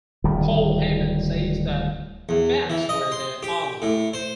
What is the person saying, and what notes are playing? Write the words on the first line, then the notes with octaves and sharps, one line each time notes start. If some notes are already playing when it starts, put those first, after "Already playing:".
Paul Heyman says that the fans were their army.
D1 D#3 G3
E2
E3
D#5
C6
G4
A2
C5